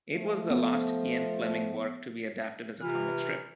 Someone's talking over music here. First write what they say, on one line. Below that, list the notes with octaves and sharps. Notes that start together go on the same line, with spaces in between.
It was the last Ian Fleming work to be adapted as a comic strip.
F3 A3
B3
C3 E3 F4 F6